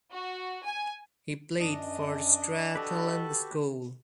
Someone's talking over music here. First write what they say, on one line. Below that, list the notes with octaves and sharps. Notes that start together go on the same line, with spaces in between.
He played for Strathallan School.
F#4
G#5
F#2 D4 D#5
F#4 G4 A4 B4